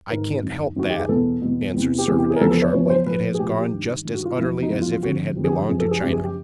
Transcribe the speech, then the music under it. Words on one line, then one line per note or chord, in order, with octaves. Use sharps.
"I can't help that," answered Servadac, sharply; "it has gone just as utterly as if it had belonged to China."
G#2 D#3 A#4
F#2 D#3
F#2 D#3 F#4
G4
G#4
E2 B2 A4
E2 B2
E2 C3 E3
G4
E2 C3 E3 G#4
G4
G#4
A#4
E2 C#3 F3 A4
A4
C#5
E2 C#3 F3 C#5
C#5
C5
A#2 F3 B4
G#4
A#2 F3 G4
G4
G4
G2 D#3
G2 D#3
F#4
F4
E2 C#3 F3 E4
D#4
E2 C#3 F3 E4
F4
F4
F2 D3 F3 F#4
F2 D3 F3 G4
G#4
G4
F#2 C#3 F3 G#4
A4
G#4
F#2 C#3 F3 G4
G#4
G4